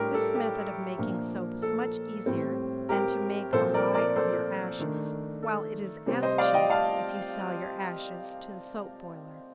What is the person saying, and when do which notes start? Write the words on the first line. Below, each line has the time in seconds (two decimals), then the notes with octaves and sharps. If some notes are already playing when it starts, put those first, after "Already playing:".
This method of making soap is much easier than to make a lye of your ashes, while it is as cheap, if you sell your ashes to the soap-boiler.
Already playing: A2 G3 D4 G4 A#4
0.14 A4
0.35 G4
0.98 A#2 F3 A#3 D4
1.62 A4
2.26 A2 G3 C4
2.89 G4 A#4
3.53 A#2 F3 C4 A4 C5
3.74 A#4 D5
3.94 A#4 D5
4.16 A4 C5
4.79 D#3 A3 D4
5.43 A4
6.06 C3 G3 C4
6.22 C5 D#5
6.38 D5 F5
6.53 D#5 G5
6.69 F5 A5